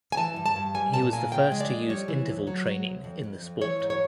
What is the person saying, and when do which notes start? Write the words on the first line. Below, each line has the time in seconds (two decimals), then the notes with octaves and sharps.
He was the first to use interval training in the sport.
0.12 G#5
0.17 E3 A5
0.36 G2
0.46 A5
0.56 G2
0.74 G3 G#5
0.94 A#2 A5
1.13 A#2 G#5
1.32 C#3 G5
1.52 G#3
1.61 D5
1.70 F2
1.89 G3 C#5
2.08 E3
2.27 D2
2.47 F#3
2.66 F#3
2.84 D2
3.04 F2
3.23 F2
3.42 F2
3.61 E3 C#5
3.80 G#2
3.90 C#5